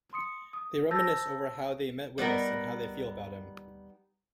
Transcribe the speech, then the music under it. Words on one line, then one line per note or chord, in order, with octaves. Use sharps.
They reminisce over how they met Willis and how they feel about him.
C6 D#6 C#7
D#6
C5 A5 E6 G6 A6 A#6
G3 B3 D#4 A#4